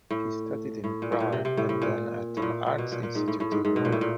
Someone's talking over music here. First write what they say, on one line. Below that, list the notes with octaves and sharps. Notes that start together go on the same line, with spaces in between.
He studied in Prague and then at an Arts institute in Rome.
A2
A2
A#2
A2
A#2
C3
C3
A2
A2
A#2
A2
A#2
A#2
B2
A#2
A#2
G#2
A2
A2
G#2
G#2
B2
A#2
A2
A#2